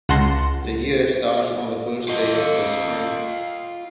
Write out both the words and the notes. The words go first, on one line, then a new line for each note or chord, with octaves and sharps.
The year starts on the first day of spring.
C#2 F#5 A5 C6 A#6 E7
F4 D#5